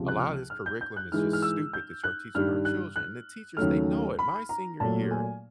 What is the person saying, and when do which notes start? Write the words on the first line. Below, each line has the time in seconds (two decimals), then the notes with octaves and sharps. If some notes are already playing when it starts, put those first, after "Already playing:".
a lot of this curriculum is just stupid that you're teaching our children." And the teachers, they know it. My senior year,
Already playing: C#2 C3 F3
0.08 F#6
0.20 F6
0.50 F6
0.66 G6
0.81 G6
0.96 F#6
1.12 G#2 E3 G#3 F6
1.33 F6
1.42 E6
1.73 G6
2.04 F#6
2.35 G2 D#3 G3 F6
2.65 F#6
2.96 F#6
3.57 D#2 C#3 F#3 A3 F6
4.19 B5
4.49 A#5
4.80 A#2 F#3 A3 A5
5.11 G#5